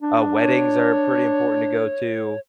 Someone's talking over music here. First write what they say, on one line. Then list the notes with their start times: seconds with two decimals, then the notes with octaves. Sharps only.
uh, weddings are pretty important to go to.
0.01 D4
0.43 C#5